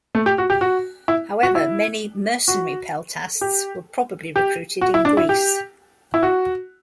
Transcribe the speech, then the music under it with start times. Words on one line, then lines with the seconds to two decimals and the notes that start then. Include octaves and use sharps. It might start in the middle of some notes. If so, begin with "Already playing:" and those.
However, many mercenary peltasts were probably recruited in Greece.
0.15 A3
0.26 G4
0.38 F#4
0.50 G4
0.61 F#4
1.08 E4
1.43 F#4
1.55 E4
2.48 F#4
3.41 G4
4.36 G4
4.81 F#4
4.94 E4
5.05 D4
5.17 E4
5.29 G4
6.14 E4
6.23 F#4